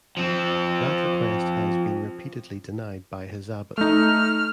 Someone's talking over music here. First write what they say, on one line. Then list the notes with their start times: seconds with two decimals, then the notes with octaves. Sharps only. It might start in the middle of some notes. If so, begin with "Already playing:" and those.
That request had been repeatedly denied by his abbot.
0.17 F3 C4
3.78 A3 D#4 F6